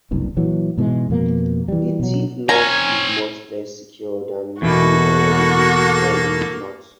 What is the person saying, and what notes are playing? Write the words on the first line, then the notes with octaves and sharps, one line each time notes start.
The thief knot is much less secure than the already insecure reef knot.
F#1 C2 G2
A#2 E3 F#3
G#2 B2 E3 G#3
F2 B2 A#3
E3 G3
B2 F#3
C4 C#4 G#5 A#5
E2 B2 A#3 F#4 A4